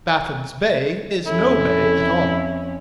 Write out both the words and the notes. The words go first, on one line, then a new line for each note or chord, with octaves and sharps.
Baffin's Bay is no bay at all.
F2 C#4 E4 A4